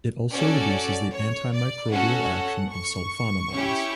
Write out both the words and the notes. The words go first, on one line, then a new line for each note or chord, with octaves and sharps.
It also reduces the antimicrobial action of sulfonamides.
C#4 F#4 A4 D5
C#5
D5
C#4 F#4 A4 F#5
C#6
C#4 E4 G4